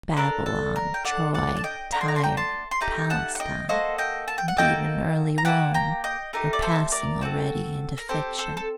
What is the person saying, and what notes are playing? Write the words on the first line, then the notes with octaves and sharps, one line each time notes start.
Babylon, Troy, Tyre, Palestine, and even early Rome are passing already into fiction.
D4 A4 A#4
A4
A#4
G5
D4 A4 D5 F#5
D5 F#5
A5
D#5 G5
A3 D4 F#4 A#5
C6
A#5
C6
G5 A#5
A5 C6
C6
A3 D#4 G4 G5 A#5
F#5 A5
F#5
D#5 G5
A#3 F#4 A4 C5 D#5
D#5 G5
A5
G5
F#5
A#3 D#4 F#4 A4 D#5 G5
A#5
A#3 D#4 G4 F#5 A5
G5 A#5
D#5 G5
A3 D#4 G4 A#4
D5
A4 C5
A#4 D5
C4 F#4 A4
A#4
C4 G4 A4 C5
A4 C5
A4